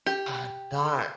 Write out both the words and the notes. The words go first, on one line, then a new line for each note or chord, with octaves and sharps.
Uh, not,
G4